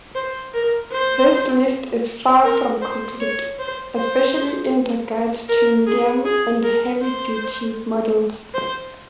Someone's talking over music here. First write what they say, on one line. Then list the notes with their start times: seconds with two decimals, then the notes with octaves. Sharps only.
This list is far from complete, especially in regards to medium- and heavy-duty models.
0.15 C5
0.54 A#4
0.92 C5
2.44 A#4
2.82 C5
3.20 C#5
3.59 C5
3.97 C5
5.49 A#4
5.87 G#4
6.25 G#4
6.63 A#4
7.02 C5
8.54 C5